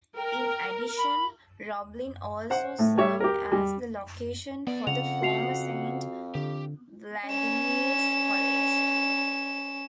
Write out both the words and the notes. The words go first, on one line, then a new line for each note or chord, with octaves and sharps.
In addition, Roblin also served as the location for the former Saint Vladimir's College.
A#4 G5
B5
C5 F#5
A2 A3
G3 C#5 E5
G4 A#4
G3
E2 B3 D5
F2 C#3 F#5 F7
F#4 C7 F7
D3 G4
C#4 E7